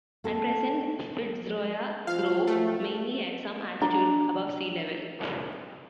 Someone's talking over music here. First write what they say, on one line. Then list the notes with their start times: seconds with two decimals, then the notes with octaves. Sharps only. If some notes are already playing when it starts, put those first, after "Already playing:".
At present "Fitzroya" grow mainly at some altitude above sea level.
0.24 A3 A#3 C4 A4
2.07 F3 F5
2.47 A3
3.81 D4 A#5